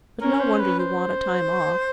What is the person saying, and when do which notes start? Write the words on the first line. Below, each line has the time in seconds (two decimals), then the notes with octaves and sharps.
But no wonder you want a time off.
0.21 C#4 A#4
0.41 C5
0.60 B4
0.79 C5